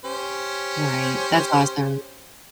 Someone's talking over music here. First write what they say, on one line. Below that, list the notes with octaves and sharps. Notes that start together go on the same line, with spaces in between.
Right, that's awesome.
C#4 G4 C5